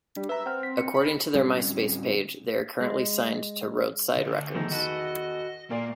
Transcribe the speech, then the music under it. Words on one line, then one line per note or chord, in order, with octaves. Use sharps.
According to their MySpace page, they are currently signed to Roadside Records.
G3 D4
B4 E5 A#5
C4 F#5 F6
B6
C#7
B5
D1 G3 C4 C#4
G#3
D2
E2 D#3 F3 A3 D#4
F#4 A4 B4 D#5
A#2 A#3 D5